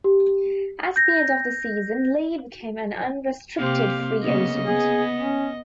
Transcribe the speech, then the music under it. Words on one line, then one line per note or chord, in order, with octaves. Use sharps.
At the end of the season, Lee became an unrestricted free agent.
G4
G6 A#6
C3 A#3 C4 G4 F5
C#3 A#3 B3 D#5
B3 G#4
C#4